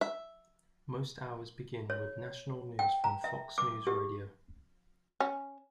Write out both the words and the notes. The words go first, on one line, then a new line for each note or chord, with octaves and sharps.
Most hours begin with national news from Fox News Radio.
E5
C#5
G5
A#5
E5
D6
G4
C#4